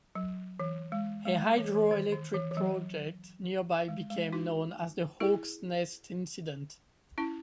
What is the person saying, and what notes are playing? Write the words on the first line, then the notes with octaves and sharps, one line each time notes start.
A hydro-electric project nearby became known as the Hawk's Nest Incident.
F#3
E3
G#3
G#3
A3
E3
E3
D#3
D#3
E3
E3
F#3
G#3
G#3
D#4 F#4
E4 G#4
C#4 E4